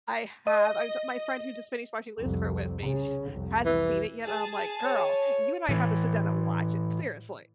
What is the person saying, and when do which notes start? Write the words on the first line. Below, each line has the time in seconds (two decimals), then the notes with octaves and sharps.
I have I'm tr my friend who just finished watching Lucifer with me, sh hasn't seen it yet, and I'm like, "Girl, you and I have to sit down and watch it, seriously."
0.47 D#5
2.18 C2 F2
2.83 C#3
3.31 C2 F2
3.65 E3
4.26 G#4 A5
4.84 C#5
5.69 A2 E3